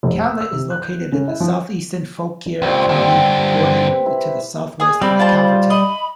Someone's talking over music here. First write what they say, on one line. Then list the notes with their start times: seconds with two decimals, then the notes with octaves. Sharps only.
Catlett is located in southeastern Fauquier County, bordered to the southwest by Calverton.
0.03 F1
0.25 E6
0.41 E6
0.52 C3
0.70 F#6
0.82 G6
1.12 C#3
1.28 E4
1.40 F3
2.62 C#2 A#2 G3 C4
2.89 G2 D3 G3 C4 G5
3.87 B4
4.06 E4
4.80 G#4 D#6
5.02 G3 C4 B5
5.19 F4 C5 A5
5.70 D#5 B5